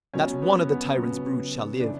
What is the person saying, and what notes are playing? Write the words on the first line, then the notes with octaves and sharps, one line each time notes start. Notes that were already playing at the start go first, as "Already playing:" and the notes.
Not one of the tyrant's brood shall live.
B2 F#3 C#4
B3
B3
C#3 F#3
C#3 E3 D4